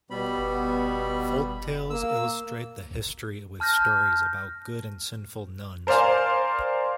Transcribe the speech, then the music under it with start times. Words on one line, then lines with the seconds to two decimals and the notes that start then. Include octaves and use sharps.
Folk tales illustrate the history with stories about good and sinful nuns.
0.11 B2 G3 B3 B5
1.90 A#3 E6
3.60 A5 F6 G6 A#6
5.87 A#4 C5 D5 F5 G#5